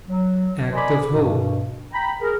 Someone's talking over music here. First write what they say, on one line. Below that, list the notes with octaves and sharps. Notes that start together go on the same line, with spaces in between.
Act of Hope.
F#3
A#4 C5 D5 D#5 G#5 B5
G2 B2
G5 A#5 B5
G#4 A#4